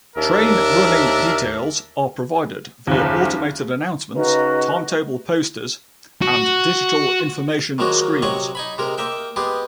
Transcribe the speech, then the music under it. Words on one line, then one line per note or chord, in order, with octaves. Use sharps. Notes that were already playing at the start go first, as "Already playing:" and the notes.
Train running details are provided via automated announcements, timetable posters and digital information screens.
D#2 D4 A#4 E5
F#1 D#2 F3
C#3 D#4 F#4 A#4 B4 D#5
F#4
D#3 F3 F#3 G#3 A#3 F#4
C3 F#3 C#5 D#5 F#5 C#6
D#4 G#5 B5
C3 G#3 A#4
A#3 D#5 E5 G5
G#3 B3 G4 G#4